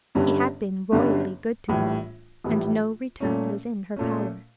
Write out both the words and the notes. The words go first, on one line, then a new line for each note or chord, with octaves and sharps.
He had been royally good to her, and no return was in her power.
G1 G2 D3 G3 C#4
G1 G2 D3 G3 C#4
A#1 A2 E3 G3
A#1 A2 E3 G3
A#2 A3 C#4
A#2 A3 C#4